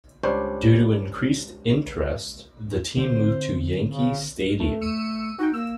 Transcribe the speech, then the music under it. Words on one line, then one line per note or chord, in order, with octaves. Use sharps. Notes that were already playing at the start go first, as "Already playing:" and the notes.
Due to increased interest, the team moved to Yankee Stadium.
C#2 G3 D4 C5 C#5
D3 C4 C5
C#3
A3
A3 E6 C#7 D#7
D#4 F#4 G5
A#3 E6